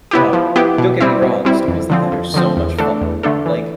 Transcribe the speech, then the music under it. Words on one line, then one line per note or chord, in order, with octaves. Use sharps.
No, don't get me wrong, stories like that are so much fun, like,
B3 E4 G4
F3
B3 E4 G4
B2
G3 C4 E4
B2
G3 C4 E4
F2
D3 F3 C4
F2
D3 F3 C4
E2
D3 A3 D4 A4
E2
D3 A3 D4 A4
E3